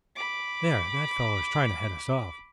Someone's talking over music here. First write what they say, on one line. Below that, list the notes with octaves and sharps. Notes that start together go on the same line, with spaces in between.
"There, that fellow is trying to head us off."
B5 D6